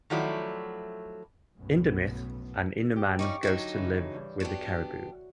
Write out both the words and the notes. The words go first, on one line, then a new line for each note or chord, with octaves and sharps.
In the myth, an Innu man goes to live with the Caribou.
D#3 F3 F#3 A3 E4 D5
B1 F#2 A2 B3
G4 G5
G3 C#4 D#4 F5 C#6 D6
D3 F#3 D#4
C#3 E3
G2
B3 D4 F#4 G4